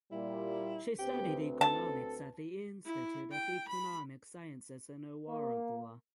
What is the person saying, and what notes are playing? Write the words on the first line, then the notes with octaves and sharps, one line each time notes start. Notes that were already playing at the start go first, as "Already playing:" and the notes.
She studied economics at the Institute of Economic Sciences in Ouargla.
A#2 G3 E4
D2 C4 G4 B4
A4 A5
E4
G5
B5
A#3